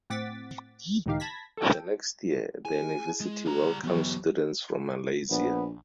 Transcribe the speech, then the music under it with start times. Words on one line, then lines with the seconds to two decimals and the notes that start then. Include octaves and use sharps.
The next year, the university welcomed students from Malaysia.
0.10 A2 C4 F#5 D6 A6 B6
1.06 C#2 A2 D#3 D#4 G4 F5
1.20 A5 B5 G#6 A#6 B6
1.57 A4 G5
2.65 E4 G#4 G#5
3.20 G#3
3.46 G3 A#5
3.84 E3 F#3 B3 G4 C#6
5.31 A#1 B3